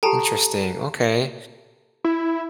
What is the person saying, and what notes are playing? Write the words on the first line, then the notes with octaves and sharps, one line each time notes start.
Interesting. Okay.
G4 A4 G5 A5 A#5
E4